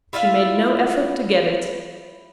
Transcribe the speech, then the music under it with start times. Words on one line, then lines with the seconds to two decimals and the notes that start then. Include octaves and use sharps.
She made no effort to get it.
0.13 E4 F4 E5 F5